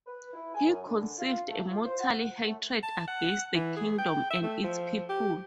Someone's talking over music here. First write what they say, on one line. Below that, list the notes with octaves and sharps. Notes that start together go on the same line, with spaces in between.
He conceived a mortal hatred against the kingdom and its people.
B4
E4
G#5
F#2
D3
F4
A3
F4
C5
F#5
A3
A5
F#5
E3
G#4
G5
E5
A3
F3
G4